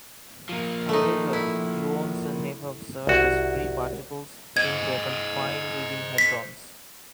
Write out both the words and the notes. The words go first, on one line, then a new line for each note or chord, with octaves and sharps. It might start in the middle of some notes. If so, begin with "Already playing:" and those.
However, gluons are never observed as free particles, since they are confined within hadrons.
F3 A#3
A3 D#4
E4
C2 F#4
C5 D#5 G#6
B6